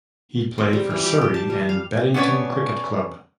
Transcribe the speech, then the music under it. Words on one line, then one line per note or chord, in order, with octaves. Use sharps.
He played for Surrey and Beddington Cricket Club.
C4
G3
E3
G4
G4
A5
G3
F5
B3 C#4 D4 B4 C#5